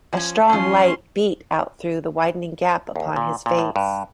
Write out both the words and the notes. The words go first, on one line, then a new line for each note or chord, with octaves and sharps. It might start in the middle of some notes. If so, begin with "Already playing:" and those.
A strong light beat out through the widening gap upon his face.
F3 C#4
G#2 F3 C#4 C6
D#2
A#2
A#2
A2
G2